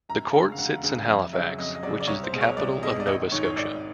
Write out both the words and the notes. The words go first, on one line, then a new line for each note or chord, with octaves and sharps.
The court sits in Halifax, which is the capital of Nova Scotia.
E1 A#5
A5
D2 C#3 A#5
F5
E1 F#5
D2 C#3
F2 E5
C#3 F#3 E5
F2 D#5
D#5
C#3 F#3 D5
D5
C2 C#5
C5
B2 G#3
C#5
C2 D5
B2 G#3 D#5
D5
G#1 D#5
G#2 D#3 C#5
C#5
G#1 D5